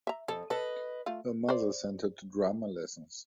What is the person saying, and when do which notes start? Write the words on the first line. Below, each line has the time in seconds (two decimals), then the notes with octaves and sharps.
Her mother sent her to drama lessons.
0.07 E5 A#5
0.28 F2 A4
0.50 A4 B4 D#5
1.06 A3 F4
1.49 C5 D5